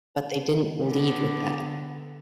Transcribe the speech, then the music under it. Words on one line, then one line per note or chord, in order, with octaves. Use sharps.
but they didn't lead with that.
D3 B3